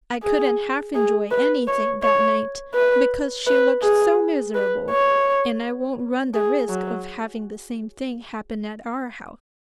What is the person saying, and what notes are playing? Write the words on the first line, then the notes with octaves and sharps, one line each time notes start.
I couldn't half enjoy anything that night, because she looked so miserable; and I won't run the risk of having the same thing happen at our house.
G#4
G#4
B4
C#5
C#5
B4
B4
G#4
B4
C#5
G#4
F#3